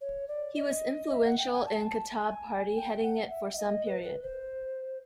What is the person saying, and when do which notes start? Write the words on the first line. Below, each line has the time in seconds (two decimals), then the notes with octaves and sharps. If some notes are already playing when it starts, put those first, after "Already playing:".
He was influential in Kataeb Party heading it for some period.
0.01 C#5
0.28 D5
0.56 D#5
1.11 E5
1.25 F#5
1.38 G5
1.53 G#5
1.66 A5
2.20 G#5
2.76 G5
3.03 F#5
3.30 E5
3.53 E5
3.58 D#5
3.85 B4
4.03 B4
4.22 C5